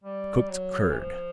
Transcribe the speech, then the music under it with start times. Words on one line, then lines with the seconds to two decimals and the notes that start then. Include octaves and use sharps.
Cooked curd.
0.04 G3
0.51 F#3
0.90 E3
0.98 F3